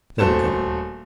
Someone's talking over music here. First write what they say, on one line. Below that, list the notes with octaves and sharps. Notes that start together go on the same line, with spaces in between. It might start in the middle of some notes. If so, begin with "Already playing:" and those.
They were gone.
D#1 A3 F#4 A4 C5 E7